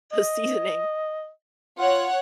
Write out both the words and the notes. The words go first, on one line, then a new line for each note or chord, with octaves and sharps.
the seasoning.
D#5
F4 C#5 F#5